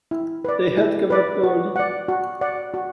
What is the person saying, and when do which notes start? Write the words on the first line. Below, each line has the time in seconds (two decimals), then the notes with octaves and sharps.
They had come up early.
0.11 E4
0.45 B4 D5
0.78 E4
1.10 B4 D5
1.43 F#4
1.76 D5 F#5
2.09 F#4
2.41 D5 F#5
2.74 F#4